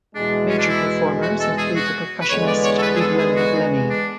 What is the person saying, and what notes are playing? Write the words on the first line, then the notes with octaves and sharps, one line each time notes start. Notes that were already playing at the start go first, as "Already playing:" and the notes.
Major performers include the percussionist Evelyn Glennie.
E2 B2 G#3 D4
C#4
D4
E4
F#4
A4
G#4
F#4
B4
E2 D3 G#3 B3 C#5
D5
C#5
A4
B4
G#4
A4
G#4
F#4
D4